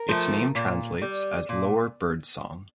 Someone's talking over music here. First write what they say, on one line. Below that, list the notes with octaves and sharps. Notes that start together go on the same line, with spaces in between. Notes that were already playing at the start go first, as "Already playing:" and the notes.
Its name translates as lower bird song.
Already playing: A#4
F3 A3
A#2
G3
A#2